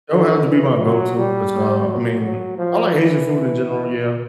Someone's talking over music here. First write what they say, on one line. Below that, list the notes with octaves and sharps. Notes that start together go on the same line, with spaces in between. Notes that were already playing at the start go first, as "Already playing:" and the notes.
It would have to be my go-to, which, uh I mean, I like Asian food in general, yeah,
D3
E3
F#3
G3
F#3
F#3
F3
E3